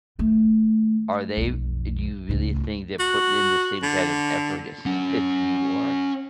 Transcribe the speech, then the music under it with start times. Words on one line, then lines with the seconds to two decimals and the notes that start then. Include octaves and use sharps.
are they do you really think they're putting in the same kind of effort as as you are
0.19 D#3 A3
1.37 B1 F2
2.29 C#2 A2
2.99 F#4
3.83 D3
4.86 C#4 F#5